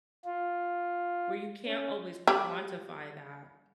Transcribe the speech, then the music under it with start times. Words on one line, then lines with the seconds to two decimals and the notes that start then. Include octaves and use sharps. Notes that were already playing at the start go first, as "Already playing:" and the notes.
where you can't always quantify that
0.25 F4
1.66 C#4
2.28 G3